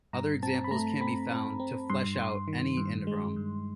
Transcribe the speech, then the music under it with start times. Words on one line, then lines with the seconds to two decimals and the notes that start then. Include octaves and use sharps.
Other examples can be found to flesh out any interim.
0.13 G2 A#5
0.43 C4 A5
0.64 B5
0.71 A3 A#5
1.01 C4 B5
1.31 C4
1.60 C4
1.90 G2 C6
2.19 G2
2.48 D#3
2.77 G2
3.07 G#3
3.36 G2